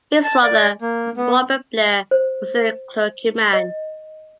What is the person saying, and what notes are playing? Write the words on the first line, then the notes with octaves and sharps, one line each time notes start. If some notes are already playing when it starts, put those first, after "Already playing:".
His father, Robert Blair, was a clergyman.
A5
D5
A#3
B3
C5
D#5